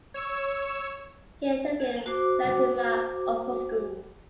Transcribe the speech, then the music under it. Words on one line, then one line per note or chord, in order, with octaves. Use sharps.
He attended Latymer Upper School.
C#5 E6
F#4 C5 D6